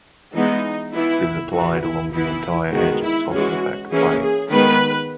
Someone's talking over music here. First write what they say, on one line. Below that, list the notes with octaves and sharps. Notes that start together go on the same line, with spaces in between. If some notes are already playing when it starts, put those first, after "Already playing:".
It is applied along the entire edge of top and back plates.
E3 G#3 B3 D#4
E3 B3 E4
E3 B3 F#4
E4
E3 B3 E4
D#3 G#3 B3 F#4
E4
E3 G#3 C#4 F#4
E3 A#3 C#4 G#4
G#4
D#3 G#3 B3 B4